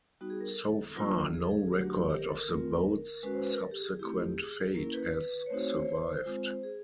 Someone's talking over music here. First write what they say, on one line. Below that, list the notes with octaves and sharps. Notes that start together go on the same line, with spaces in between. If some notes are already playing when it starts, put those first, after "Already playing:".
So far no record of the boat's subsequent fate has survived.
G3 B3 D#4 F#4
G#4
A#4
A4
F#3 A#3 D4 F4
G#4
A4
G#4
F#3 A3 D4 F#4 G4
G4
A#4
A4
A#4
A3 C4 F4
G#3 C#4 F#4 B4
C5
B4
A#4
A4
G4
G#4
A3 C4 E4 G4
G#4
A#3 C#4 E4 A#4
B4
B4
C#5
A3 C4 D#4 F#4 C5
C#5
C5
C#5
C5
C5
G#3 C4 F4
G#4